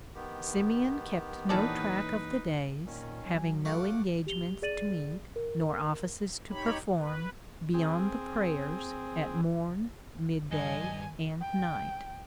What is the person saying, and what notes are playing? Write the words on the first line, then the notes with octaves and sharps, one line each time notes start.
Simeon kept no track of the days, having no engagements to meet, nor offices to perform, beyond the prayers at morn, midday and night.
D#3 B3 G4
A#2 E3 C#4 D#4 A4 B4 D5
A#2 D#3 C#4
F#3 G#5
A3 F5 F#5 D6
G4 F7 G7
G#4 D5 A6 D#7 F#7
A#4
D#4 G4 C#5 B5
B4
C4 G#4
G2 D#3 D#5 G#5
G5